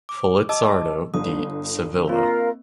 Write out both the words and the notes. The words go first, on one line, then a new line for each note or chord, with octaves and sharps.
Felizardo D. Sevilla.
D6
D#5 A5 D6 E6
G1 D#6
A#3 C4 F4 A#4 F5